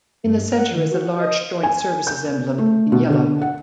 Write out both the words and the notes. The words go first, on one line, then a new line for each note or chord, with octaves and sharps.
In the centre is a large joint services emblem in yellow.
G2
F#5
D#3
F#4
D#5
G#5
G6
A3
B2
D3
F#5